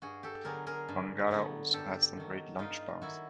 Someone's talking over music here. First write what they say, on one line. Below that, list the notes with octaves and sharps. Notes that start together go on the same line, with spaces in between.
Wangara also has some great lunch bars.
G2 F#4 G#4
G4 A4
D3 F#3 B3 G#4 A#4
G#4 A#4
G2
D3 F#3 B3
G2 G4 A4
D#3 F#3
G2 D#4 F4
D#3 F#3 E4 F#4